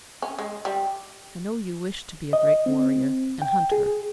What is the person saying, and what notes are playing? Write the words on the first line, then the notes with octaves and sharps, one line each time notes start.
I know you wish to be a great warrior and hunter.
C#4
G#3
G3
D#5
C4
G5
G#4